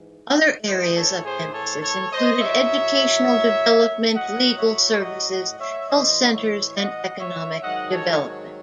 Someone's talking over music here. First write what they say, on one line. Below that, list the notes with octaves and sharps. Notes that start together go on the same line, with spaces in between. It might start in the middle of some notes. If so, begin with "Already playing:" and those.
Other areas of emphasis included educational development, legal services, health centers, and economic development.
Already playing: G#2 E3
A2 E3 C5 D#5
A4 C#5
G#4 C5
A4 C#5
A4 C#5
C5 D#5
A2 F#3 C#5 E5
A2 F#3 D#5 F#5
C#5 E5
D#5 F#5
D#5 F#5
C#5 E5
A2 E3 C5 D#5
C#5 E5
D#5 F#5
C#5 E5
G#2 D#3 F#3 D#5 F#5
A4 C#5